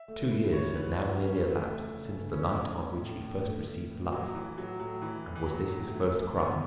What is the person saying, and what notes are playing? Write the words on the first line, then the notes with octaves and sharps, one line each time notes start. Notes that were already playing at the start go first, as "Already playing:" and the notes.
Two years had now nearly elapsed since the night on which he first received life; and was this his first crime?
Already playing: E5
A3
E4
E4 C#5
E4 B4
E4 F#4
C#3 C#4
C#3 A3
C#3
C#3
C#3
C#4 E4
A2
A2
A2
A2
A3
A3
A2
A2 F#3
E3 E4
A2 F#3
A2 F#3
E3 E4
A2
E3
F#3 E4
A2
E3 A3
E3
E3 B3